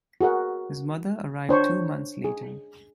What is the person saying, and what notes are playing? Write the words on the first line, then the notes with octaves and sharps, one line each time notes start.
His mother arrived two months later.
F#4 G#4 A#4 F#5
D4 C5 C#5 C#6
G#4